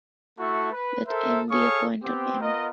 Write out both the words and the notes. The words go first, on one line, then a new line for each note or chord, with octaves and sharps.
Let "m" be a point on "M".
A3 E4 F#4 A4 C#6
B4
A4 A#4 C5 E5
G#4 A4 C#5 F5 C#6 D#6
B3 C4 G4
B3 F4 A#4 D#5